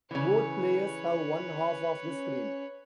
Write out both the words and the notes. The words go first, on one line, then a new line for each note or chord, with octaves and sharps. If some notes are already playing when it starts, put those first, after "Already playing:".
Both players have one half of the screen.
C#3 E3 B4 C#5
C#4